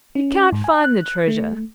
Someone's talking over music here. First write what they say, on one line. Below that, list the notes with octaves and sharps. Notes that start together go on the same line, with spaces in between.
You can't find the treasure.
C#4
G#2
G#5
F#6
A3